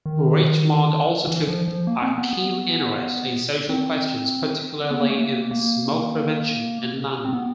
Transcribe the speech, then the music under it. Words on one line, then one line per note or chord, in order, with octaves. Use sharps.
Richmond also took a keen interest in social questions, particularly in smoke-prevention in London.
D#3
E3
F3
F3
A#3
C4
B3
B3
C4
B3
A#3
A3
A#3
A#3
C4
B3